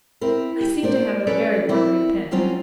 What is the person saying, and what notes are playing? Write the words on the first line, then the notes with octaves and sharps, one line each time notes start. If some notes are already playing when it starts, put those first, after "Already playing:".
I seem to have a very wandering pen.
C4 E4 A#4
G4
A#3 C5 D5
C#4 A4 B4 C#5 D5
C4 E4 A#4
F#3 G3 C4 C#4 D#4 F4